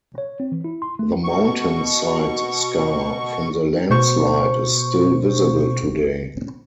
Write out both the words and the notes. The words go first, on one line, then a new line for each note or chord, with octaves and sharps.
The mountainside scar from the landslide is still visible today.
C#5
C4
E3
E4
C6
A3
B2 C#6
B2 C5 C#6